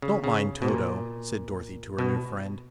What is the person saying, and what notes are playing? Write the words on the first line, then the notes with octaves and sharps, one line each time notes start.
"Don't mind Toto," said Dorothy to her new friend.
C#3
C#3
B2
A#2
B2